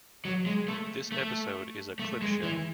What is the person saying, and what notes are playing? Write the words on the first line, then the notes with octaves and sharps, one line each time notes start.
This episode is a clip show.
F#3
G#3
A3
A3
A3
G#3
E3